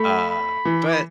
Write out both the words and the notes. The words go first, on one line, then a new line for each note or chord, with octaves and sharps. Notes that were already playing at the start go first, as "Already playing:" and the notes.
Uh, but,
Already playing: A3 B5
B5
E3
D6
B5